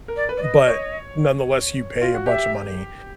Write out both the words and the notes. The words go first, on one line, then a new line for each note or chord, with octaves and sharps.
But nonetheless, you pay a bunch of money
A#4
D5
B4
D5
D#5
C#5
F4
F#4
G4 E5